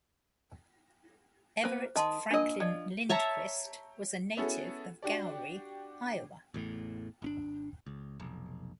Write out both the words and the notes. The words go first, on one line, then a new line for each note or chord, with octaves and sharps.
Everett Franklin Lindquist was a native of Gowrie, Iowa.
A#3 B4 C5
D#3 D#5 A5 C6
A#3 D4 F4 A#4 D#5
F3 D5 D#5
C#5 E5 A5 A#5
B3 C#4 E4 F#4 G#4 A4
D4 F#4 G4 D5
A1 E2 A2
G#1 C#4 D4
C#2
F1 B1